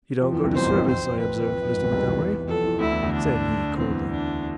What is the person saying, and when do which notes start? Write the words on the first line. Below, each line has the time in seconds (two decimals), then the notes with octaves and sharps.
"You don't go to service, I observe, Mr. Montgomery" said he, coldly.
0.21 F2 F3
0.32 E2 E3
0.44 C2 C3
0.54 B1 B2 C5
0.65 G#1 G#2
0.76 F2
0.87 C5
1.19 F2 B4
1.41 F2
1.52 F2
1.62 F2
1.72 G#1 G#2
1.84 B1 B2
1.92 C2 C3
2.08 E2 E3
2.48 F2 F3 A4
2.64 E2 E3
2.80 D2 D3 E4
2.92 E2
3.03 D2 D3
3.13 D4
3.78 E2 E3 C4
4.11 D4